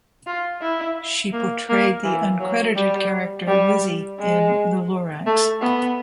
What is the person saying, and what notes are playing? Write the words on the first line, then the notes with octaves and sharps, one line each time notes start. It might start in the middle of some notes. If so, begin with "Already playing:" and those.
She portrayed the uncredited character Lizzie in "The Lorax".
F4
E4
A#3
A#3
E3
F#3
G3
G3
G#3
A3
B3